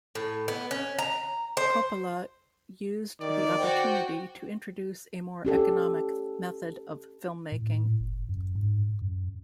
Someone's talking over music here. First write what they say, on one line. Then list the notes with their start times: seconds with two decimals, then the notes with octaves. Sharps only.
Coppola used the opportunity to introduce a more economic method of filmmaking.
0.15 A2
0.48 B3
0.71 C#4
0.99 A#5
1.57 C5
3.20 D#3 D5
3.59 F#4 C5 G5
5.45 C#4 G4 A4
7.52 A2
8.00 F#1
8.29 F#2
8.55 G#2
9.02 F#2